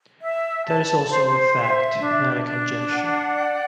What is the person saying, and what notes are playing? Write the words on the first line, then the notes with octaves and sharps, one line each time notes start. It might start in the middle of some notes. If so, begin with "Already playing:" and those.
That is also a fact, not a conjecture.
E5
A5
C5
E5
D4
D4
F#5
D5